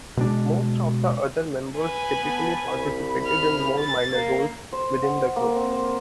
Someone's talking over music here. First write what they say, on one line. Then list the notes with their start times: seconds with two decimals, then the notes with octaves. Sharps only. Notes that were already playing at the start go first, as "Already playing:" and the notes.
Most of the other members typically participated in more minor roles within the group.
0.17 B2 G#3 D4
1.79 B4 G#5
2.23 B3 A5
2.63 C2 B5
3.26 F6
3.79 A6
4.13 A#3
4.73 C5
5.03 F#5
5.36 A#3
5.56 C4
5.72 C5